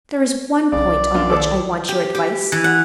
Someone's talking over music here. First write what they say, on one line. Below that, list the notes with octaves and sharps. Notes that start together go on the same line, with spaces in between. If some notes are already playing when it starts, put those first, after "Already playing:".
There is one point on which I want your advice.
B1 C#3 D5
F#2 D4 F4
D#2 A4 D6
G4
G4
E3
F#5